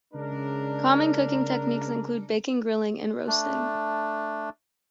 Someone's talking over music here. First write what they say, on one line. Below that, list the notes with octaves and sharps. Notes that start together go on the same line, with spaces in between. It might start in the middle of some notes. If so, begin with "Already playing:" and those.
Common cooking techniques include baking, grilling and roasting.
C#3 G#3 D4 A#4
A3 D4